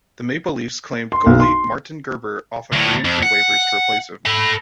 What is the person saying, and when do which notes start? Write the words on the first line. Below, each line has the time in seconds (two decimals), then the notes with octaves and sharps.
The Maple Leafs claimed goalie Martin Gerber off of re-entry waivers to replace him.
1.12 C6
1.26 B1
1.40 C6
2.73 D2 A2
3.05 F2
3.23 F#5
4.26 A4 B5